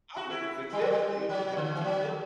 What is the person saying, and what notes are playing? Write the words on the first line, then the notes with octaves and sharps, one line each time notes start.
I went to fix their computers and had to teach them
F#4
E4
G3
F#3
G3
F#3
D3
E3
F#3